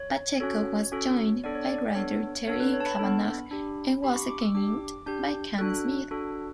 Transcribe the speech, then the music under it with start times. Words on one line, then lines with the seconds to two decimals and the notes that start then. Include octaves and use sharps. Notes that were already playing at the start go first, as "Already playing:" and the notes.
Pacheco was joined by writer Terry Kavanagh and was again inked by Cam Smith.
Already playing: C#5
0.40 C#4 F#4 A4 C#5
0.92 C#4 F#4 A4
1.44 B3 D4 A4 D5
1.55 C#5
1.65 D5
1.95 B3 D4 A4 C#5
2.47 B3 D4 A4 C#5
2.60 B4
2.74 C#5
2.80 A5
2.86 B5
2.99 B3 D4 A4
3.51 D4 G4
4.03 D4 G4 B5
4.16 C#6
4.29 D6
4.42 E6
4.55 D4 G4 D6
5.06 D4 G4 G6
5.58 D4 F#4 A4 F#6
6.11 D4 F#4 A4